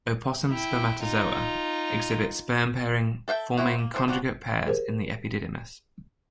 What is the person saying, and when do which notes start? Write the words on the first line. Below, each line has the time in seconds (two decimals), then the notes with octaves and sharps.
Opossum spermatozoa exhibit sperm-pairing, forming conjugate pairs in the epididymis.
0.50 E4 G5
1.02 D#4 F4
3.28 A4 E5 F5 G5
3.57 C4 C#4 E4 F#4
3.78 A#3
3.94 F3 D4 C5
4.08 F3 G3 F#4
4.66 G4 G#4 A#4 C5